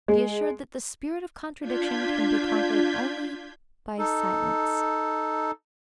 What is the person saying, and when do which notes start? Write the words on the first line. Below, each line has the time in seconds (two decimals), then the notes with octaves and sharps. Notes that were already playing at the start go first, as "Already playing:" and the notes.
Be assured that the spirit of contradiction can be conquered only by silence.
0.08 G#3
1.59 D4 F4 G6 G#6 B6
3.99 D#4 A4